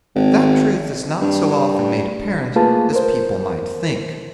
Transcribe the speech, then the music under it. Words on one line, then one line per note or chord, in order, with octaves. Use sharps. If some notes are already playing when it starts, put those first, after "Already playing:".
That truth is not so often made apparent as people might think.
G#1
G2
A3 A#3 F4 G#4 B4 A5
A#4 C5